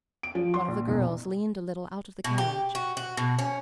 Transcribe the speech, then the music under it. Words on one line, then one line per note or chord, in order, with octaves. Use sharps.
One of the girls leaned a little out of the carriage.
D7
F3
C6
A#1
E1
B2
G4
F#4
F#4
B2
C#4